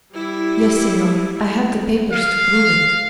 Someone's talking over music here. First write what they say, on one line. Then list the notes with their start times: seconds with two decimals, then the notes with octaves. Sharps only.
"Yes, Senor; I have the papers to prove it."
0.13 G3 E4
2.12 F5